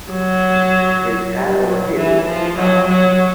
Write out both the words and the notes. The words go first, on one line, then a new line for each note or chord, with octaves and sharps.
He’s head over heels in love.
F#3
G3
F#3
E3
F3
F#3
F#3